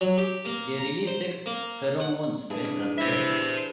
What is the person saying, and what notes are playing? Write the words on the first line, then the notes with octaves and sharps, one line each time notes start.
They release sex pheromones when ruptured.
F#3
G4
A#3
A#5
C5
A#3
F#5
E3 D4 G#4
E4 C5 E5